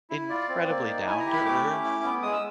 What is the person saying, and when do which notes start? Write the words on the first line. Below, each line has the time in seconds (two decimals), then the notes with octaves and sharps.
incredibly down-to-earth,
0.10 E4
0.29 F4 D5
0.49 C4
0.69 A#3
0.87 D#4
1.07 E4 G#5
1.20 A#5
1.26 G4
1.32 B5
1.45 A3 D6
1.64 C#4
1.84 E4
2.03 B3
2.22 G#3 D#6
2.33 E6